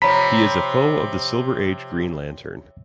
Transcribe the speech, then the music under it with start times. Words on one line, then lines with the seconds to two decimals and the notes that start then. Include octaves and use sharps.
He is a foe of the Silver Age Green Lantern.
0.02 C3 F3 C#5 A#5 B5 B6